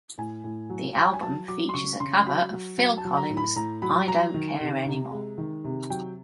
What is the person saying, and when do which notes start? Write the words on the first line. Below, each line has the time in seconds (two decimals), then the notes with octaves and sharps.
The album features a cover of Phil Collins' "I Don't Care Anymore".
0.18 A2 G#5
0.44 A2
0.70 F#3
0.96 F#3 F#5
1.05 G5
1.14 G#5
1.22 F#3 A5
1.48 F#3 D6
1.69 C6
1.74 C#3 C#6
2.00 C#3 C6
2.16 C6
2.26 F#3 B5
2.52 F#3
2.78 F#3
2.97 A5
3.05 F#3
3.17 A#5
3.30 A2
3.37 B5
3.56 A2 A#5
3.82 F#3 B5
4.08 F#3 A#5
4.34 D#3
4.61 C3
4.86 C3
5.12 G#3
5.38 D#3
5.64 C3
5.90 F#3 G5